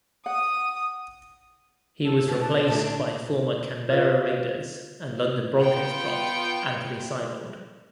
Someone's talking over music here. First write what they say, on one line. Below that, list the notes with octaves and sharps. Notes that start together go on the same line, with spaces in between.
He was replaced by former Canberra Raiders and London Broncos prop Anthony Seibold.
F#5 D#6
A4
B2 B3
A5
D2 A#2 A3
D#3 D4
F4 B4 D#5 F5
B3 F4 G5 C#7 D7